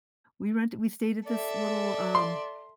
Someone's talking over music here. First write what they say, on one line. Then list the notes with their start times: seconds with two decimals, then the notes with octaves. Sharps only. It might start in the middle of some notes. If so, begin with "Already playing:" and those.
we rent we stayed at this little, um,
1.26 A4 D5 E5
2.15 C6